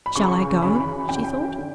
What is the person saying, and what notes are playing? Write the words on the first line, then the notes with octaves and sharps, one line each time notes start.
"Shall I go?" she thought.
B5
C#2 C#3 E3 C#6
F#2 C#3 E3 B5
F#2 C#3 E3 G5
D3